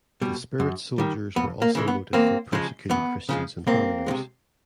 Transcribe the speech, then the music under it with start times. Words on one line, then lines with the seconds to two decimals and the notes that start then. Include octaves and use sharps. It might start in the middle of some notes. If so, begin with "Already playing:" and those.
The Spirit Soldiers were also noted for persecuting Christians and foreigners.
0.22 B2 G3
0.60 F#2
0.98 D#3 G3
1.36 F2 B3
1.62 A#3
1.75 C#3 E3 G#3
1.88 B3
2.13 E2 A#3 C4
2.52 C#3 F3 G#3
2.90 E2 B3
3.29 C#3 F3 G#3
3.67 C2 A#3 C4
4.06 C3 D#3 G#3